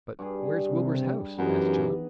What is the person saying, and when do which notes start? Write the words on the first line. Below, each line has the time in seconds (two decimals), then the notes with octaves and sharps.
"But where's Wilbur's house?" asked John.
0.19 G2 G3 G#4
0.70 C3
1.38 F#2 E3 B3 D#4 G4 G#4